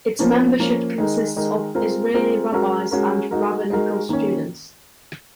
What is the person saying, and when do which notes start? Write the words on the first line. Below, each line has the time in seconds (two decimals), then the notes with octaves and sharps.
Its membership consists of Israeli Rabbis and rabbinical students.
0.19 F3 A#3 C#4
0.59 F3 A#3 C#4
0.98 D#3 G#3 D#4 A#4
1.36 D#3 G#3 D#4 A#4
1.75 G#3 C4 F4 A#4
2.14 G#3 C4 F4 A#4
2.52 G#3 C#4 F#4 A#4
2.91 G#3 C#4 F#4 A#4
3.31 G#3 D#4 F#4 A#4
3.70 G#3 D#4 F#4 A#4
4.09 D#3 A#3 C#4